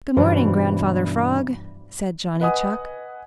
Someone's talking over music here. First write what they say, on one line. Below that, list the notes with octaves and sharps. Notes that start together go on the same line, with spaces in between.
"Good morning, Grandfather Frog," said Johnny Chuck.
G2 B2 E3 C#4 C5
B4 D#5 F#5 G#5 D#6